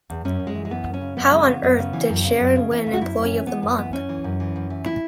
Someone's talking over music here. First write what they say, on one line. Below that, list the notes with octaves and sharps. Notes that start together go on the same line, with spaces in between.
How on earth did Sharon win employee of the month?
E2
F#2 C#4
F#2
G#3
E3
G#3
F#2 B3
F#2
C#4
C#3
F#2 B3
C#3 G#3
E3 B3
F#2 B3
C#3
E3
F#2
C#3
F#2
C#3
E3
C#3
F#4
F#2 E4
F#2
C#4
E3
E3 B3
F#2 B3
E3 B3
F#2 C#4
E3
F#2
E3
F#2
E3
E4